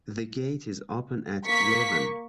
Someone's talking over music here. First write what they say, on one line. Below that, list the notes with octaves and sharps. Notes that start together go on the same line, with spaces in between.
The gate is open at eleven.
A#3 C#6 B6